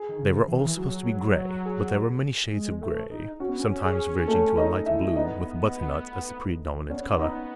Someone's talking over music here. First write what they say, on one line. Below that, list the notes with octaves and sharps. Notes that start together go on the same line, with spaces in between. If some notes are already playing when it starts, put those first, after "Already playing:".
They were all supposed to be gray, but there were many shades of gray, sometimes verging to a light blue, with butternut as the predominant color.
Already playing: G#4
D#3
C#3
E3
D#3
E3
F#3
G#4
G#3
A3
D#4
C#4 F#4
B3
C#4
G#4
A3 A4
D#4 D#5
E4 E5
B3 D#4 D#5
B3 C#4 C#5
D#4 D#5